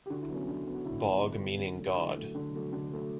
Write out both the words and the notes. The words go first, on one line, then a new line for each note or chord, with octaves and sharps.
Bog meaning God.
G4
D3 F#4
E4
F#3 B3
C#4
D3 D4
F#3 B3
F#4
D3 E4
F#3 B3
D3
F#3 B3
D3
F#3 A3
F#4
D3 E4
F#3 A3
D3
F#3 A3
D3 D4
F#3 A3